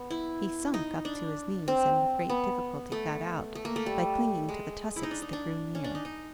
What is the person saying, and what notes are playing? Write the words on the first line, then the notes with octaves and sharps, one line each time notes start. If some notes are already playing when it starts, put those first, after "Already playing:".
He sunk up to his knees, and with great difficulty got out by clinging to the tussocks that grew near.
Already playing: B3
E4
D#4
D4
C4
B3
A3
A3
A#3
A3
G3
G#3
E4
D#4
D4
D#4
D4
C#4
D4
D#4
D#4